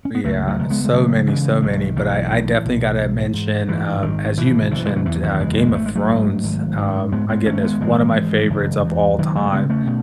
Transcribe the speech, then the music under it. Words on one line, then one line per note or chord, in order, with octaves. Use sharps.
Ooh yeah it's so many, so many, but I I definitely gotta mention, um, as you mentioned, uh, Game of Thrones, um, my goodness, one of my favorites of all time.
C#4
B3
C#2 F#3 A3
F#3 A3
C#2
G#3 B3
G#3
C#3 F#3 A3
C#3 E3 G#3
B1 D#3 F#3
B1 E3
A2
B1
G#2
G#2
G#2 E3
G#1 D#3
B2 E3
F#1 E3
G#3
F#3
E2 E3
D#3 F#3
F#1 E3 G#3
E3 G#3
G#1 A3
G#3
F#3 A3
G#2
G#1
G#2
G#2 G#3 B3
G#3 B3
G#1 A3 C#4
G#3 B3
G#1 E3 G#3
G#2
F#1
E2
F#1 D#3 F#3
F#3 A3
C#3 G#3 B3
A3 C#4
B2